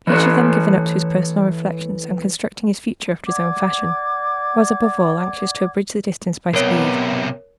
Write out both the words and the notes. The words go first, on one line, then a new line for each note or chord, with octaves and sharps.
Each of them given up to his personal reflections, and constructing his future after his own fashion, was, above all, anxious to abridge the distance by speed.
E3 A4 C#5
D5 F#5 D6 G#6
B1 C3 B3 A#4 C#5